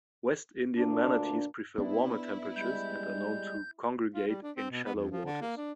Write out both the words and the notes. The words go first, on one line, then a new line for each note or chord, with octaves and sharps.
West Indian manatees prefer warmer temperatures and are known to congregate in shallow waters.
D2 A#2 D4
B3 D4 E4
G3 G#3 G6
F4
G3
D4
C4
B2
B3
F2
F3
D3
A#3
D4